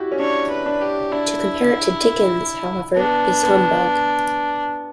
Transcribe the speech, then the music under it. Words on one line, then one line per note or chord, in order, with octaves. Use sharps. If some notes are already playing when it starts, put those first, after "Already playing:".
To compare it to Dickens, however, is...humbug.
Already playing: E4 F#4 G4
C#4
D4 C#5
B4
D4
G4
D4 E4
B3 D4
B3